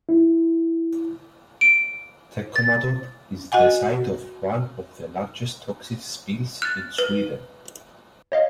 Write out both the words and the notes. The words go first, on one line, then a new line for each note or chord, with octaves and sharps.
Teckomatorp is the site of one of the largest toxic spills in Sweden.
E4
D7
A6
F#4 D#5 F#5 G#5
F6 F#6 A6
B4
C#5 D#5 F5